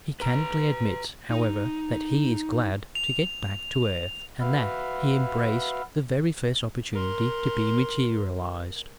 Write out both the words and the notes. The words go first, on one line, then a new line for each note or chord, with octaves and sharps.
He candidly admits, however, that he is glad to get back to earth and that he embraced the very first opportunity to be materialized.
B4 A#5
D#4
F7
F#4 B4 E5 F5
A#4 C6